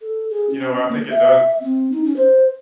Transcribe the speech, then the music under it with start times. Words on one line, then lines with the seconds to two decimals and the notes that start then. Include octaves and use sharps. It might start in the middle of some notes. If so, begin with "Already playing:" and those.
you know, I think it does s
0.01 A4
0.30 G#4
0.50 C#4
0.89 A#3
1.10 E5
1.60 C4
1.92 D#4
2.04 C#4
2.16 C5